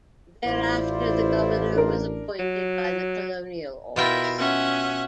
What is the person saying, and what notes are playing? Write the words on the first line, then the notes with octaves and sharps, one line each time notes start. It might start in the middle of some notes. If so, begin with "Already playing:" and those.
Thereafter the Governor was appointed by the Colonial Office.
A1 E4 F4 C5 D5
D4 A#4
F#3
B2 E4 F4 A#4 E5 G5
C#4 E5 F#5